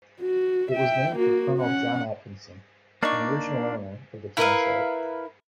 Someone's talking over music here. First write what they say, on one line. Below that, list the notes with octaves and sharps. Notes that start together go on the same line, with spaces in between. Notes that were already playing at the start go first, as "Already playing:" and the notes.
It was named for Colonel John Atkinson, an original owner of the town site.
F#4
E5 G5
A#3 F#4
C#4 F#5
A#3 D4 D#4 D5 C#6
E4 A#4 B4 F5